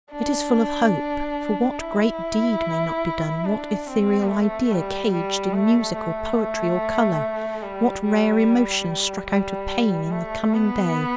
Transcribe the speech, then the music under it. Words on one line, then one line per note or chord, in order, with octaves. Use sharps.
It is full of hope; for what great deed may not be done, what ethereal idea caged in music or poetry or colour, what rare emotion struck out of pain in the coming day?
D4
E4
D4
C4
A3
G3
G3
A3
A3
G3
G3
G3
A3
B3